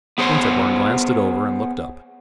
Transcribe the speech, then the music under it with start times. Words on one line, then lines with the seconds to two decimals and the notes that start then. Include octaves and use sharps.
Winterborne glanced it over and looked up.
0.18 B3 G#4 C5 C#5 B5 C6